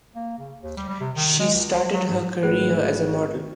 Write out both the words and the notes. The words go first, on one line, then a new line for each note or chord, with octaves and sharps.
She started her career as a model.
A#3
C#3
D#2
G3
G3
C3
D#3
G#3
C#2
C5
F#3
G#2
G#1 A3 G#4 B4